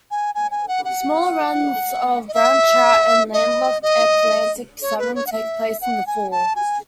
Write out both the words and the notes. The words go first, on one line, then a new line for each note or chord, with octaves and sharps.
Smaller runs of brown trout and landlocked Atlantic salmon take place in the fall.
G#5
G#5
G#5
F#5
F#5
D#5
E5
D#5
D#5
C#5
B4
C#5
F#5
E5
F#5
G#5
A5
G#5